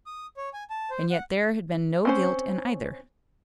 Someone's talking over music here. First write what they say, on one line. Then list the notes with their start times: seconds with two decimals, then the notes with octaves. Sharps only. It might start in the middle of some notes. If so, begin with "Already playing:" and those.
And yet there had been no guilt in either.
0.06 D#6
0.37 C#5
0.53 G#5
0.70 A5
0.90 C5
1.11 F#5
2.05 C4 C#4 C5